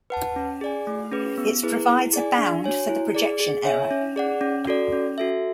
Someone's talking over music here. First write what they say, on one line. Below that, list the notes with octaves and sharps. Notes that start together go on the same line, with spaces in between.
It provides a bound for the projection error.
B4 F#5 A5
C#4
G#4 D5 G#5
A3
C#4 G#4 B4
B3
E4 G#4 B4
E4
G#4 D5 G#5
D4
F#4 C#5 G#5
E4
G#4 D5
G#4
C#5 E5 G#5
C#4
G#4 D5 F#5
C#4
F#4 A4 D5
C#4
F#4 A4 E5